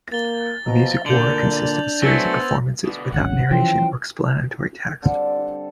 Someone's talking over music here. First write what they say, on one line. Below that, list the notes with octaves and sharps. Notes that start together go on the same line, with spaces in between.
A Music War consists of a series of performances, without narration or explanatory text.
A#3 A6 G7
B2 F3 A#5
A#2 D3 A#3 D4 G6 F7 F#7
F#3 A3 B3 C5 G#5 E6 A6 A#6
B2 D3
D1 G#1 C#4 F#5
E3 F3 C#4 G5 C6
D3 G3 C4 A4